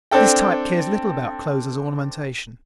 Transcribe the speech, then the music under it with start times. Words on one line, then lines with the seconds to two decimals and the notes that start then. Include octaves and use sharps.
This type cares little about clothes as ornamentation.
0.11 C4 D4 A4 G5